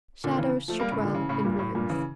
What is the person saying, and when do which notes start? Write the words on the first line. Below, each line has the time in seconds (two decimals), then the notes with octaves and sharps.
Shadows should dwell in ruins.
0.24 A#2 D3
0.38 C#3 E3
0.68 F3 A3
0.80 G3 A#3
0.91 A2 C#3
1.02 A#2 D3
1.14 C#3 E3
1.29 A2 C#3
1.45 G2 A#2
1.59 A2
1.75 G2 A#2
1.89 C#3 E3